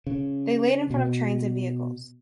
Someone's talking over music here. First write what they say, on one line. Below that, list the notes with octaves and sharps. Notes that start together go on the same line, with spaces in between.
They laid in front of trains and vehicles.
C#3
B2